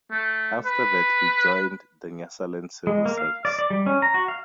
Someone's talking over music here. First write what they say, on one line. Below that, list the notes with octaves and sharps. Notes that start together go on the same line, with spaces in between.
After that, he joined the Nyasaland civil service.
A3
B4
G#3
A#3
F5
D5
D5
G3
C#4
A#5
F#4
F5